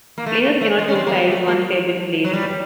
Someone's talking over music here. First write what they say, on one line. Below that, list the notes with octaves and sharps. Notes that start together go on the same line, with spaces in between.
Players cannot move tiles once they have been placed.
A#3
A3
A3
G#3
C#4
C4
A#3
B3
A3
A#3
F#3
G3